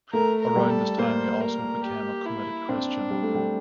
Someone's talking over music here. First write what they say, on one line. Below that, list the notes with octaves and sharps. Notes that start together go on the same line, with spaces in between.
Around this time he also became a committed Christian.
A3 A#4
A#4
G3
A4
A#3 C5
A#4
G4
E4
C4 D4
G3
A3
G3